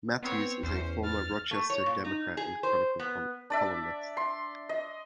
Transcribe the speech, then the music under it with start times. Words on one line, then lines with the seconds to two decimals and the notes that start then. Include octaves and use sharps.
Matthews is a former "Rochester Democrat and Chronicle" columnist.
0.23 B3 C4 C#5
0.64 E2 C#4 C5
1.04 F6 A6
1.51 A3
1.70 C#5
1.86 A#2
2.04 D#4
2.37 G#4
2.63 C5
3.00 B3
3.50 D4 D5 E5
4.17 C6
4.69 D#5